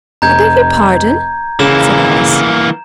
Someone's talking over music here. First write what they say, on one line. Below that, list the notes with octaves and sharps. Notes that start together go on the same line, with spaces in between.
'I beg your pardon?' said Alice.
F1 A#5 G6 G#6
C#3 E3 A#3 E7